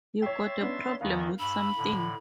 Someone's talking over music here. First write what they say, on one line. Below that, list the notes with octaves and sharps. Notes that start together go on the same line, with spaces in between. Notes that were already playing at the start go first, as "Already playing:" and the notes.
You got a problem with something?
C#5 E5 G5 C6 A6
B3 C#4 D4
E2 D#3 B3 F5
G2 B5 E6
A2 D3